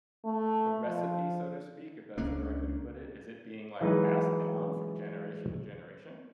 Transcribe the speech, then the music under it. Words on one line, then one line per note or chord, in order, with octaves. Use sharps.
the recipe, so to speak, if that's the right way to put it? Is it being, like, passed down from generation to generation?
A3
F3
C#2 A#3 C#4 D4
E3 F#3 G#3 D#4 G#4 B4